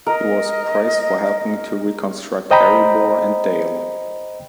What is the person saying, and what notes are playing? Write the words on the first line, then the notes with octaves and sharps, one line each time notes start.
He was praised for helping to reconstruct Erebor and Dale.
A#4 D#5
C5 D#5 G5 A#5 B5